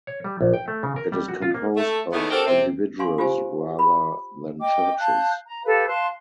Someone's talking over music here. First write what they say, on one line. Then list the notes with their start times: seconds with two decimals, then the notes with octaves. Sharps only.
It is composed of individuals rather than churches.
0.07 C#5
0.24 G3
0.41 A#1
0.54 G5
0.68 A3
0.83 C#3
0.96 A#4
1.12 G3
1.28 F#4
1.42 F4
1.54 A#3
1.77 A3
2.13 C#3 E3 A3 B3 D#4
2.30 C4 D4 F#4 G4 A4 A#4
2.46 C3 C4
2.99 F5 G#5 C6 C#6
3.18 F4 G4 C5 F5 G#5
3.79 B5
4.60 D#5 G5 D6
4.98 F5 A5 F#6 G6
5.47 A#5
5.64 G4 A4 B4 F5
5.88 F5 A5 C6 F#6